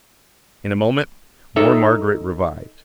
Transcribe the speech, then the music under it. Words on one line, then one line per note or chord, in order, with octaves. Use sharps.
In a moment more Margaret revived.
D#4 A4 C#5 E5